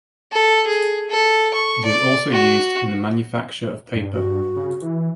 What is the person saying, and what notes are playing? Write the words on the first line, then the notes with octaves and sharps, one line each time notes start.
It is also used in the manufacture of paper.
A4
G#4
A4
C#6
D5
F#4
G2
F#4
C#3
E3